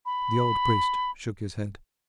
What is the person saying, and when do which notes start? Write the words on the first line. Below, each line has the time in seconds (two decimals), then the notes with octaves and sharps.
The old priest shook his head.
0.06 B5